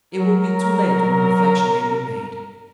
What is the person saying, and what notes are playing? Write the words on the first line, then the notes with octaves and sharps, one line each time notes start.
"It will be too late when reflection may be made."
F#3 A#4